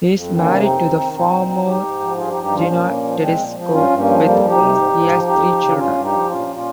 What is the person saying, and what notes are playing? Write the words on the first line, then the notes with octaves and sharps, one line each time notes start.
He is married to the former Gina Tedesco with whom he has three children.
F2
D#3
A#3 C#4
C3
F2 C4 D#4
F2
D#3
A#2 C4 D#4
A#2
F3
G#2 D#4 G4
G#2
F3
G2 F4 G#4
D#4 G4
G2
D#4 G4
F3 C#4 F4
A#2 A#3 C#4
A#2
F3
A#2 G#3 C4
A#2
F3
G2 C#4 F4
G2
A#3 C#4
F3
F2 G3 A#3
F3
D#4 G4
C3
G#2
G#2
F3
F2 D#4 G4
F3
C#3
G2 C#4 F4
G2
D#4 G4
F3
A#2 C#4 F4
A#2
C#4 F4